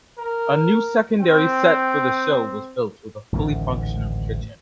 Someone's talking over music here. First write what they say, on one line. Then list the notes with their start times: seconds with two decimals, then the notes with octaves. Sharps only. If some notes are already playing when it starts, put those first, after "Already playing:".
A new secondary set for the show was built with a fully functional kitchen.
0.18 A#4
1.20 C4 G5
3.32 A1 D2 G#2 D#3